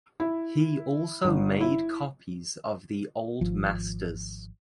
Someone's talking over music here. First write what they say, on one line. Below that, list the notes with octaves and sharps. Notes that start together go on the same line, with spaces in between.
He also made copies of the Old Masters.
E4
G1
E4
G#1 F3